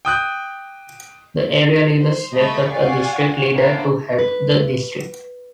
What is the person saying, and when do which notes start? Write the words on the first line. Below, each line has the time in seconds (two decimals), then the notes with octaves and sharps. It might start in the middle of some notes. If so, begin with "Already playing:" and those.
The area leaders selected a district leader to head the district.
0.05 G5 D#6 F#6 G6
1.99 C5
2.34 A3 D#5 B5 C#6
2.70 D5 F5 F#5 G#5 C#6
3.54 A#3 B3 C#4 D4 E4 C5
4.19 B4